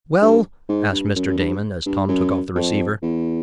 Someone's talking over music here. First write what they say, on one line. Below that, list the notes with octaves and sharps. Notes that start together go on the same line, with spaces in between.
"Well?" asked Mr. Damon, as Tom took off the receiver.
G2
G#2
G2
F#2
F#2
G2
G2
F#2
F2
E2